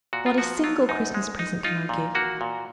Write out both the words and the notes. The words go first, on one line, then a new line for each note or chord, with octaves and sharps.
Not a single Christmas present can I give.
A#2 F#4
F4
F3 F#4
F#3 F4
F#2 D#4
G#3
D#4
D#4 F4
A#2
A#3 F#4
A#2